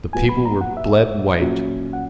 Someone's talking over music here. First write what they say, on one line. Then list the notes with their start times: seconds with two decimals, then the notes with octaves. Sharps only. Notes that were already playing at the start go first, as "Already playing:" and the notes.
The people were bled white.
0.13 A#2 F#3 B3 F#4 G#5
0.29 B5
0.46 A#5
0.61 F#5
0.77 E5
1.40 A#2 F#3 C#4
1.93 F#5